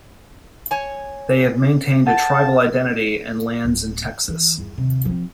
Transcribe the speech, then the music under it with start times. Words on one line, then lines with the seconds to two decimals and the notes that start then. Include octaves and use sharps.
They have maintained a tribal identity and lands in Texas.
0.71 C#5 G#5
2.07 F#5 A5
3.65 D1 B3
4.29 E3
4.58 G1 E2
4.78 D#2 C3
5.05 F3 C4